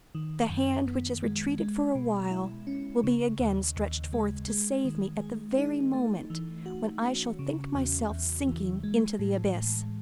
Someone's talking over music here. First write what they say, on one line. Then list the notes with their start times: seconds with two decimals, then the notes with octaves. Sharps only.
The hand which has retreated for a while will be again stretched forth to save me at the very moment when I shall think myself sinking into the abyss.
0.15 D#3
0.50 F#2
0.87 B3
1.23 G#3
1.59 G#3
1.95 B2
2.31 E4
2.67 C#4
3.04 C#3
3.40 D#2
3.77 D#2
4.13 G#3
4.48 G#3
4.85 D#3
5.21 G#4
5.58 D#4
5.93 A3
6.30 E3
6.66 F#4
7.03 C#4
7.39 C#3
7.75 E2
8.11 E2
8.48 E3
8.83 G#3
9.19 A2
9.56 A2